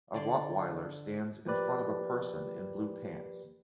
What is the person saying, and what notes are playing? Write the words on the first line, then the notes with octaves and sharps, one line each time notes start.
A rottweiler stands in front of a person in blue pants.
D3 D5 C6
F3 A#3 G4 A#4 B4 D5